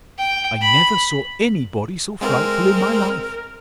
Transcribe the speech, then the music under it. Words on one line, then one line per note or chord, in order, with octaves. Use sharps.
I never saw any body so frightful in my life!
G5
B5
G#3 C4 A#4